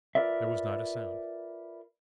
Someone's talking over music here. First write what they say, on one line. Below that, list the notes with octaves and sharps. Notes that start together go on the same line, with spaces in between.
There was not a sound.
F4 A#4 B4 D5 E5